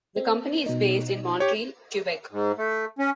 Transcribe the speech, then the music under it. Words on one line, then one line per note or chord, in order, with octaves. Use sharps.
The company is based in Montreal, Quebec.
C4
B2 D#4
G4 C#5 G6
G#2
A3
C#4